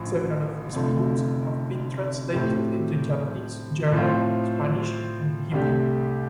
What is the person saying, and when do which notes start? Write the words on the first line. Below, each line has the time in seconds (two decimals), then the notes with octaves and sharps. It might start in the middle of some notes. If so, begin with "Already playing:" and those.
Several of his books have been translated into Japanese, German, Spanish, and Hebrew.
Already playing: A1 A2 F3
0.73 F1 F2 D3 A3 F4
2.33 A2 A3 C4 G4
3.92 A2 F3 C4 F4
5.52 C2 C3 A3 D4 G4